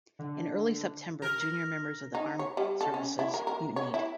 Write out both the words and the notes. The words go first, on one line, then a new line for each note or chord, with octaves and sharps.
In early September, junior members of the armed services mutinied.
D3
A#4
D#4
C#5
G3
A4
C#4
E4
A#4
A#4
C#5
E4